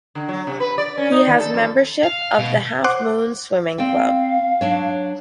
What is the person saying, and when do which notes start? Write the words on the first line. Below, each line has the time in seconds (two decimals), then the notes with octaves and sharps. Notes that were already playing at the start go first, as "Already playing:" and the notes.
He has membership of the Half Moon Swimming Club.
0.15 D3
0.29 F#3
0.47 C3
0.60 B4
0.78 D5
0.98 C#4
1.12 D#4
1.27 D#3
1.41 A4
1.54 F2
2.04 F5
2.39 B2
2.84 C5 F#5 D6 F#6
3.78 C4 D5 F5 G5
4.61 F#3 D4 C#5